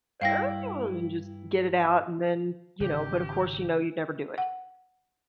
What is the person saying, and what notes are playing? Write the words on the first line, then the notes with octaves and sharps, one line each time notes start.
"Ugh" and just get it out and then, you know but of course you know you'd never do it.
G2 E4 F5 G5 A#6
G#1 C#3 G4
F#5